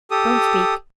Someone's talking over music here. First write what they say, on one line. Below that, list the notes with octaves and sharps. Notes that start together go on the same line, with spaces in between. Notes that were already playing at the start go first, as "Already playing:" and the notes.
Don't speak.'
G4 A4 D#6